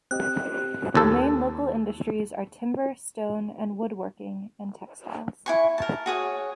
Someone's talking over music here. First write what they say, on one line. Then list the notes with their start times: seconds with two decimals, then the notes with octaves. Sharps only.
The main local industries are timber, stone- and wood-working and textiles.
0.11 C4 G4 D#5 F#6
0.95 D#2 A4
5.46 E4 G#5 C#6
5.78 A#4 A5
6.06 F#4 G#4 C#5